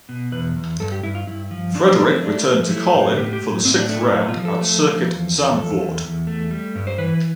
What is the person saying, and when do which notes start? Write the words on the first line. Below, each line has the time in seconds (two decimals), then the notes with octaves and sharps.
Frederick returned to Carlin for the sixth round at Circuit Zandvoort.
0.09 B2
0.32 E2 B4
0.56 E2
0.80 G2 A4
0.92 G4
1.03 G2 E4
1.15 F4
1.27 G2 E4
1.51 F3
1.75 F3 D4
1.87 D4
1.98 A3 D4
2.11 C4
2.22 A3 D4
2.46 F3
2.70 A3 E4
2.94 A2
3.17 A2 G4
3.33 G4
3.41 A2
3.65 A2 C4
3.78 D4
3.89 A3 D4
4.01 E4
4.13 A2 E4
4.29 F4
4.37 F3
4.45 A4
4.61 A3
4.85 F3
5.08 E2
5.32 F3
5.56 E2 A4
5.80 E2
6.04 E2
6.27 A3
6.51 G3
6.75 G2
6.87 C5
6.98 E3 B4